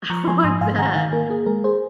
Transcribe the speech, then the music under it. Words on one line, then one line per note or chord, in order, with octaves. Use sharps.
I want that.
F3 A#5 C#6
F3 G#5 C6
G#2 C6 D#6
G#2 F5 G#5
D#3 F#5 A#5
D#3 F5 G#5
A#3 A#4
A#3 G#4
G#3 A#4
G#4 C5